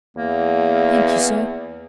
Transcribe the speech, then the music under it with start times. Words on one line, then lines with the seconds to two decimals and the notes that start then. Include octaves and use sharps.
"Thank you, sir."
0.17 E2 A#3